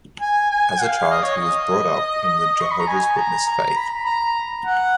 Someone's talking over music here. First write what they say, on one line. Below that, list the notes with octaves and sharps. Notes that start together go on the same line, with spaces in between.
As a child, he was brought up in the Jehovah's Witness faith.
G#5
G#5
F5
D#5
C#5
D#5
C#6
B5
A#5
G#5
A#5
A#5
B5
A#5
F#5